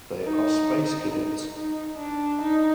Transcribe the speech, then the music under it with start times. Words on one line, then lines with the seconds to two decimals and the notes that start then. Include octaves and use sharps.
They Are Space Cadets.
0.24 D#4
1.11 D#4
1.54 D#4
1.98 D4
2.41 D#4